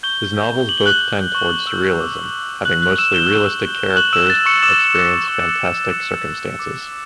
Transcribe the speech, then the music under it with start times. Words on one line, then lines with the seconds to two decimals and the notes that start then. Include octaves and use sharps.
His novels both tend toward surrealism, having mostly realistic characters experience fantastic circumstances.
0.03 C#6 G6 G7
0.37 G6
0.69 D6 F#7
0.77 G7
0.86 F#6 F#7
1.01 F#6
1.35 C#6
1.67 E6
1.72 G6
2.01 D6
2.33 G6
2.65 D6 F#6 F#7
2.82 F#6 F#7
2.98 E6 F#6 E7
3.14 G6 G7
3.31 C#6
3.64 E6 G6
3.96 C#6 F#6 F#7
4.13 E6 E7
4.30 F#6 A6
4.46 C#6 C#7
4.62 D6 E6 E7
4.95 F#6
5.28 C#6
5.61 G6
5.93 D6
6.26 F#6
6.59 D6